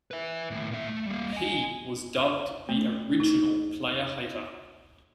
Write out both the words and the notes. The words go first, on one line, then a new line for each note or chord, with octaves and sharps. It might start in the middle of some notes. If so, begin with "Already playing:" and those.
He was dubbed the Original Player Hater.
B4 E5
D#2 A2
A#2 E5
A3
G3 A#3
D#5 G#5
A3
D#4